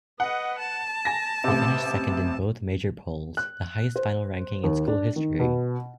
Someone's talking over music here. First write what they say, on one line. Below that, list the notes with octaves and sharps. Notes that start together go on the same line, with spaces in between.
They finished second in both major polls, the highest final ranking in school history.
B4 D#5 F#5
A5
G#5 A#6
A1 C3
F#6
C5
D#2
D4
D#3
B2